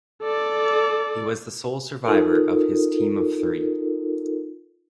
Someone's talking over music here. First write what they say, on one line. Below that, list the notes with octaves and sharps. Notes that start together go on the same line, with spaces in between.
He was the sole survivor of his team of three.
A4 D5
D#4 F4 A4 A#4